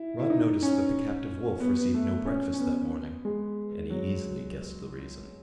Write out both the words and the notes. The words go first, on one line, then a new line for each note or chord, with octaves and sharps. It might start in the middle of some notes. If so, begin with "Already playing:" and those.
Rod noticed that the captive wolf received no breakfast that morning, and he easily guessed the reason.
Already playing: E4
E4
D#4
C#4
B3
B3
A3
C#4
C#4
B3
G#3
F#3